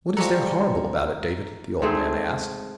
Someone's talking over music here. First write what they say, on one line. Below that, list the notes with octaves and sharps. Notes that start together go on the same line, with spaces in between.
"What is there horrible about it, David?" the old man asked.
F3 G3 G#3 F#4 G4 A4 F#5 A#5
G#2 A3 C4 G#4